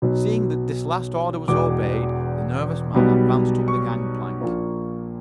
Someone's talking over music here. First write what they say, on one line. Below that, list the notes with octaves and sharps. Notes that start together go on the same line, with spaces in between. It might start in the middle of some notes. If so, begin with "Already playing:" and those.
Seeing that this last order was obeyed, the nervous man advanced up the gangplank.
B1 B2 F#3 B3
E1 E2 B2 D6
B1 B2 G3 B3
C#6
A#1 A#2 A#3